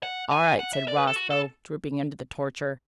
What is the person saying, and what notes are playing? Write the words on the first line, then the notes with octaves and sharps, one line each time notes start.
"All right," said Roscoe, drooping under the torture.
F#5
G#5
F#5
E5
D5
B4
A4
F#4
A4